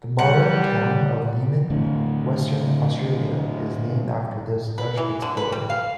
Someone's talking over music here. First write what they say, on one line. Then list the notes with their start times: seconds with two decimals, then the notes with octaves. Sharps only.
The modern Town of Leeman, Western Australia is named after this Dutch explorer.
0.19 G3 F#5
1.70 A2 D3
4.78 B4
4.97 E3
5.22 D3
5.37 B4
5.52 G3
5.70 F5